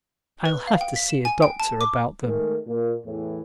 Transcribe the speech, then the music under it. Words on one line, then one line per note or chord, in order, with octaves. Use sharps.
I'll have to see a doctor about them.
B4
F5
G5
B6
E7
G#5
G5
A5
D6
D#3 G#3 A3
A#2
E2 A2 E3